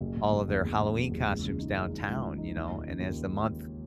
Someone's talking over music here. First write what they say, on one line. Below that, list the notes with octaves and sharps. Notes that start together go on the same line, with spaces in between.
all of their Halloween costumes downtown, you know, and as the month
F#1
F#1
F#1
E2
F#1
F#1
F#1
E2
C#2
C#3
D#4
G#3
D#4
C#2
C#2
D#4
D#2
D#2
C#3
D#2